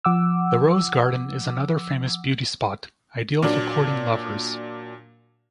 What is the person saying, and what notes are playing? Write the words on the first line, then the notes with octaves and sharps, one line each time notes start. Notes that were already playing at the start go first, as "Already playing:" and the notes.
The rose garden is another famous beauty spot, ideal for courting lovers.
F3 F#5 D6 E6
A#2 F#3 D4